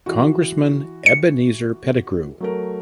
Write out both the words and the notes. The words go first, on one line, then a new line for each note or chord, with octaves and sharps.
Congressman Ebenezer Pettigrew.
E3 F#4
C#7
F#3 A3 A#4